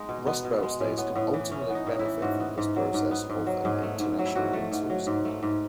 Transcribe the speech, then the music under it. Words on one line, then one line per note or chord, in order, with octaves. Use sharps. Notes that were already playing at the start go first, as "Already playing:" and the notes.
Rustbelt states can ultimately benefit from this process of an international insourcing.
Already playing: G#3 B3 D#4
B2
B3
B2
G#3
A2 C#4
B3
A2 B3
E3
A2 C#4
B3
D#4
A2
E4
E3
G#2 F#4
B3
G#2
F#3
G#2
B3
G#2
F#3
G#2 G#4
A3
G#2
F#3
E4
G#2 F#4
A3
G#2
F#3
G#2
A3
G#2